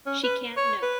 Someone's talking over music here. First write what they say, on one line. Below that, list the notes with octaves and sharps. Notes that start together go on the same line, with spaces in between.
She can't know.
C#4
B4
C#5
B4